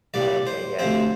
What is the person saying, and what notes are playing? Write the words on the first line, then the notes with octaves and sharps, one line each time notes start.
Oh, okay, yeah,
C2 A#2 G3 D5
C5
D2 C3 F3 C4 C5